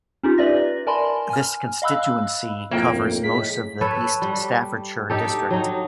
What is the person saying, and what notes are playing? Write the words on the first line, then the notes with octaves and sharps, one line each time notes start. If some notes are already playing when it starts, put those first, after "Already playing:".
This constituency covers most of the East Staffordshire district.
C#4 D#4 F4 G4
B4 D5 E5 A#6
A#4 D5 G#5 A5 B5 C6
G#5 F6
D#5 F5 B5 E6 F#6
B1 F2 A2 A#3 G5
A2 G#3 B6
A4 B4 C#5
G3
D#4 G4 A4
F#3 D#4